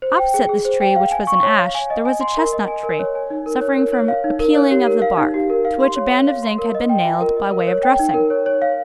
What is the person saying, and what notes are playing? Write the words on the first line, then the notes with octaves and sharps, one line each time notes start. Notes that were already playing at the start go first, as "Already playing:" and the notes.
Opposite this tree, which was an ash, there was a chestnut-tree, suffering from a peeling of the bark, to which a band of zinc had been nailed by way of dressing.
C5
G5
G#4
G#4
C5
G5
F5
G#5
C#6
C#5
F5
G#5
D#5
G#5
C6
A#4
D#5
G#5
A#4
C#5
G#5
D#4
A#4
C#5
A#4
C#5
F5
D#4
A#4
C#5
G4
A#4
F5
D#4
G4
A#4
F5
C6
C#5
C#5
F5
C6
A#4
D#5
G5
F4
A#4
D#5
A#4
C#5
G5
D#4
A#4
C#5
C#5
F5